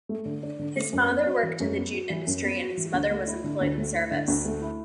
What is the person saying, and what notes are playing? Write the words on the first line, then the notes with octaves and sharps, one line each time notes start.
His father worked in the jute industry and his mother was employed in service.
A3
D3
D4
D3
A3
F#2
B3
F#4
E3
F#2
B3
F#4
E3
F#2
B3
F#4
E3
D2
A3
E4
D3
D2
A3
E4
D3
D2
A3
E4